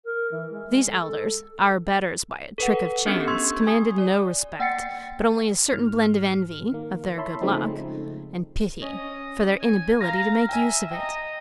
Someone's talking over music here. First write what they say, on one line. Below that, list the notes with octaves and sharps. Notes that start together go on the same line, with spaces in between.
These elders, our betters by a trick of chance, commanded no respect, but only a certain blend of envy--of their good luck--and pity--for their inability to make use of it.
A#4
E3
G#3
G#3
A4
A4 B4 F#5
B3 C#4 D4 G4 A4
C6 C#6 E6 G#6
G#5 D#6
D5
A#3 F#5 G5 A6 C7 C#7
G#2 F6
D#3 A#3
E4 C#5 E5 A5 B5 C6
C#3 F3 G#3 A3 C4 D#4
C#4 D#5
G#5
F5 A#5 A#6
E5 G5 G#5
D#5 G5 A#5